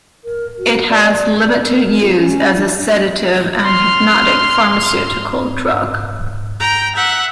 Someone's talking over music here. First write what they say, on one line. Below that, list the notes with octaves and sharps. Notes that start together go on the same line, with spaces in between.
It has limited use as a sedative and hypnotic pharmaceutical drug.
A#4
F#4
D5
D5
D5
A#4
F4
C#4
D4
C6 F6
G5 A#5
E5 F#5